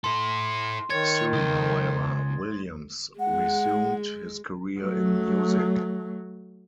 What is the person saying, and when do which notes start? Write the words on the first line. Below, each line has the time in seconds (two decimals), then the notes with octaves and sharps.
Soon, however, Williams resumed his career in music.
0.04 E4 A4 C6
0.90 D#3 C#5 G#6 A6
1.33 C#2 D#6
3.20 G#3 F#5
4.80 F#3 A3